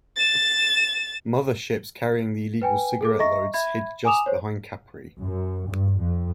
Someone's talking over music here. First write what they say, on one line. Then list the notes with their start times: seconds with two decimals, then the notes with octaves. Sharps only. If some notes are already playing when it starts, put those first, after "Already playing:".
Mother ships carrying the illegal cigarette loads hid just behind Capri.
0.16 A6 E7
2.62 B4 G5 G#5
3.01 G#4 A4 D6
3.19 D#5 E5 A#5 C#6 A#6
3.54 E5 B5 G#6
4.05 G#5 A#5 D6 D#6 E7 F7
4.26 C5 C#5
5.21 F#2
5.67 G2
6.00 F2